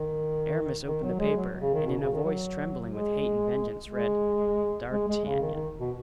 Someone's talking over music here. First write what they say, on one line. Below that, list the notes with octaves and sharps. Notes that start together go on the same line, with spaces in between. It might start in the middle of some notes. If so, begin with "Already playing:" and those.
Aramis opened the paper, and in a voice trembling with hate and vengeance read "D'Artagnan."
Already playing: D#3
D#3
F#3
G#3
F#3
C#3
D#3
B2
C#3
D#3
F#3
G#3
G#3
G#3
G#3
C#3
D#3
D#3
B2